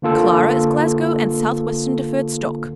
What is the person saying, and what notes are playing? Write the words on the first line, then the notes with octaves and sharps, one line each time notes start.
Clara is Glasgow and South-Western Deferred Stock.
D3 A#3 F4 A4